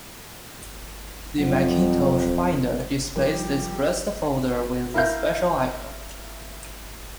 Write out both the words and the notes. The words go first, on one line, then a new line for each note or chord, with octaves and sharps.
The Macintosh Finder displays this "blessed" folder with a special icon.
F2 F#3 C5
F3 G3 G4 A#4
E4 A#4 E5 F5 G6